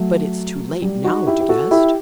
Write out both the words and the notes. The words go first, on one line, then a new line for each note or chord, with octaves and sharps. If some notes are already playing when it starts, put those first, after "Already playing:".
"But it's too late now, De Guest."
Already playing: F#3 A3
G3
D#4 F#4
E4 G4
G4
F#4 A4
E4 G4